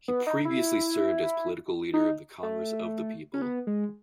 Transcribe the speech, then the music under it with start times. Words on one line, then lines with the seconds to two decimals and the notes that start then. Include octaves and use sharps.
He previously served as Political Leader of the Congress of the People.
0.08 B3
0.27 D#4
0.45 E4
1.94 D#4
2.43 A3
3.34 C#4
3.42 B3
3.67 G#3